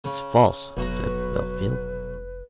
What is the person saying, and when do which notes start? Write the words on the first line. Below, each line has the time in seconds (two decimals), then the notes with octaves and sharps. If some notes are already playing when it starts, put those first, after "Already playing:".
"It's false," said Bellfield.
0.04 C#3
0.77 F1 B1 F#4 B4 A#5